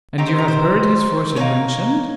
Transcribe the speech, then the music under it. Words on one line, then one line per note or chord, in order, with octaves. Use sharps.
"And you have heard his fortune mentioned?"
C4 D#4 G4 C#5
C5
A#4
C5
A#3 C#4 D#4 G4 C#5